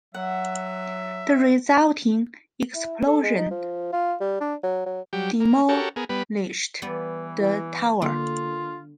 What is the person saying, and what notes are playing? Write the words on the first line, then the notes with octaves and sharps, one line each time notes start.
The resulting explosion demolished the tower.
F#3 E5 F#5
E4
A4
G#3
D#4
F3
F4
G3
D4
F#3
F#3
F#3 G3 G4
A#3
F#4 G4 A4 A#4 C#5
B3 G#4 A#4
G3 B3 B4
E3 G3 B3 D5
E3 E4
D3 A#3 F4